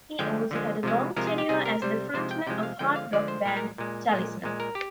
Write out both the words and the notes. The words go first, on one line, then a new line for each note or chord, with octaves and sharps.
He also had a long tenure as the frontman of hard rock band Talisman.
D3 F3 G#3 G5
D3 F3 G#3
C3 F3 G#3
C3 F3 G#3 A#4
G#4
G4
C3 G3 G#4
A#4
C3 G3 C5
C3 F3 G#3 C5
G5
C3 F3 G#3 G5
F5
D3 F3 G#3 G5
F5
D3 F3 G#3 D5
C5
A#2 G#3 A#4
A#4
A#2 G#3
A#2 G#3
A#2 G#3
A#4
G4